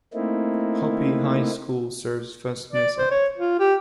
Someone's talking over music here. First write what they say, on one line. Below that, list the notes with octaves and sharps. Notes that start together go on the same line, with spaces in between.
Hopi High School serves First Mesa.
A3 A#3 C4 D#4 E4
D5
C5
C#5
F4
G4